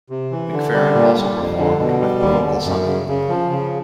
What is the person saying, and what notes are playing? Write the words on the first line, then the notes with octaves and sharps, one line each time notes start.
McFerrin also performed with the Vocal Summit.
C3
E3
D3
G3
A#2
G3
F2
D3
B2
G3
D#2
D3
F#2
C#3
C#3
F3
C#3